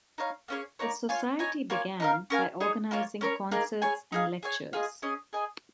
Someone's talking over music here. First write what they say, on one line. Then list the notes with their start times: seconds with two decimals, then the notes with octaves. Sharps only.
The Society began by organising concerts and lectures.
0.18 D#4 C#5 F5
0.48 A#3 C#4 G#4 C#5
0.79 A#3 D#4 C#5
1.09 F4 C#5 F5 G#5
1.39 D#4 C#5 G#5
1.70 A#3 F4 C#5 G#5
2.00 D#4 A#4 F5
2.30 C#4 A#4 F5 G#5
2.60 D#4 G#4 C#5
2.91 A#3 F4 C#5
3.21 C#4 A#4 C#5
3.51 A#3 D#4 G#4
3.82 G#4 C#5 G#5
4.12 D#4 G#4 F5
4.43 G#4 C#5 G#5
4.73 F4 G#4 D#5
5.02 C#4 G#4 D#5
5.33 G#4 D#5 G#5